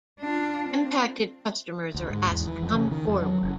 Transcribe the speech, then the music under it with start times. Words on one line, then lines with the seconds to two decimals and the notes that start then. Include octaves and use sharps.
Impacted customers are asked to come forward.
0.20 D4 F4
0.69 C4
1.94 D2
2.10 G#2
2.27 E2
2.47 E3
2.62 F2
2.75 C#3
2.91 D#3
3.08 F2
3.22 F#3
3.43 F#1